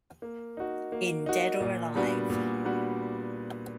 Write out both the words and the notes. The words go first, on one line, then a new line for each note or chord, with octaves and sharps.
In Dead or Alive!
A#3
D#4 F#4
A#3
D#4 F#4
A#2
G3 B3 D4 F#4
A#2
G3 B3 D4 F#4